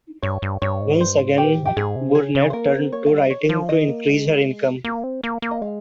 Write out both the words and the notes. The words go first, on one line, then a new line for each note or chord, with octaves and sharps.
Once again Burnett turned to writing to increase her income.
G2 C#5
G2
G2 C#5
G#2
G2 C5
G#2
A#2 G4
G#2
G4
G#2 G#4
C3
C#3 G#4
C#3
C5
A#3 A#4
C4
A#3 C#5
F5
G3
D#5
C#5
F3
D#3 D#5
A#3
G#3
A#3
C4
A#3
A#3
D#5
G#3 F5